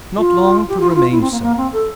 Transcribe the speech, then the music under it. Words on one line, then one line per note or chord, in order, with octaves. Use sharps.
Not long to remain so.
F4
G4
F4
E4
F4
E4
C4
A#3
A#3
C4
A4